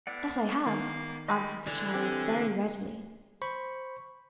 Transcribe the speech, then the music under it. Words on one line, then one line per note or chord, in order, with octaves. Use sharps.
"That I have," answered the child, very readily.
A2 B3 D5 F#5
D#3 A#3
G3 D#5 B5
D3 E3 G#3 D5
C4 G4
C5 B5 C#6